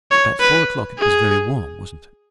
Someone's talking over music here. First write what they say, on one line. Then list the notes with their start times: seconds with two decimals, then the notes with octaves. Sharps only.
"At four o'clock--it was very warm, wasn't it?"
0.11 C#5
0.40 B4
0.99 G#4